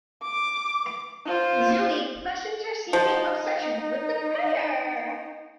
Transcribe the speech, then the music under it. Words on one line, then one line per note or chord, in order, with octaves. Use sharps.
Zooey questions her seeming obsession with the prayer.
D6
F4 C5
F3 D#4